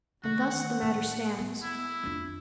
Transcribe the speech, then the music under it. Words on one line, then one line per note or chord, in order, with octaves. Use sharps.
And thus the matter stands.
D3 D#3 F#4
F#5
A2
B3
E4
F2 D4